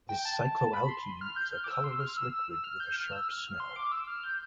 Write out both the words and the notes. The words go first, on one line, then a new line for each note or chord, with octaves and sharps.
This cycloalkene is a colorless liquid with a sharp smell.
G5
A5
B5
C6
F6
G6
F6
D6
E6
C6
E6
F6
E6
E6
F6
G6
F6
E6
F6
F6
C6
D6
E6
F6
G6